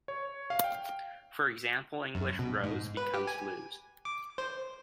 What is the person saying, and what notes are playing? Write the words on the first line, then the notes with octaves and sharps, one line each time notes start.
For example, English "rose" becomes "lose".
C#5
F5
G5
F#2
B2
G#2
B4
G4
G#5
D6
C5